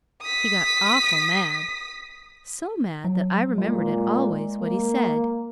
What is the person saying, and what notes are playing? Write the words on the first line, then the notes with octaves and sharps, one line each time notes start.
He got awful mad--so mad that I remembered it always--what he said.
D#6 B6
F#3
A#2 G#3
A#3